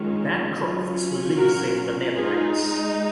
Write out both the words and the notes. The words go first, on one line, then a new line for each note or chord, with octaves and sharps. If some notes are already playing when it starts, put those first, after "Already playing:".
Bancroft lives in the Netherlands.
Already playing: D#3 G#3 C#4 F4
F#3 C#4 F4
F#4 A#4
G#3 D#4 F4 G#4